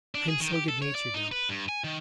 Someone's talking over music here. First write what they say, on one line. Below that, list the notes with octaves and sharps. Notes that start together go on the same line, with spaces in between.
I am so good-natured now.
D4
G#4
D#3
G4
A4
C#5
D5
D#4
B4
G2
G#5
D#3